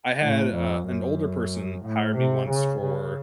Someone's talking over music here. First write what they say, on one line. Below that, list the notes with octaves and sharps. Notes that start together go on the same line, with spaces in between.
I had, uh, an older person hire me once for
A2
F2
F#2
A2
C3
C#3
C#3